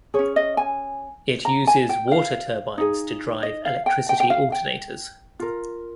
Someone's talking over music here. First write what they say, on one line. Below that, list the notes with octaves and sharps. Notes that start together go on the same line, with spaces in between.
It uses water turbines to drive electricity alternators.
C#4 G#4 C#5
D#5
G#5
A#5
G#5
G5
F5
D#4 G#4
D#5
F5
G5
G5
G5
F5
G5
F4 A#4